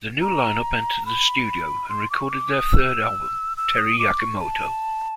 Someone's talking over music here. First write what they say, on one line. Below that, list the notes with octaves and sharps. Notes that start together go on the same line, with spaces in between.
The new lineup entered the studio and recorded their third album "Teri Yakimoto".
A#5
B5
C6
D6
C#6
D6
D#6
E6
E6
D#6
D6
C#6
A5